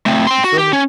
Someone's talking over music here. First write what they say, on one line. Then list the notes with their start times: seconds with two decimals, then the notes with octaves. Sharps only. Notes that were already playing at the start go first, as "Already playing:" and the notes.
You feel me?
0.06 A3 C4
0.27 G5 C6
0.44 F#4
0.58 G4
0.73 C#4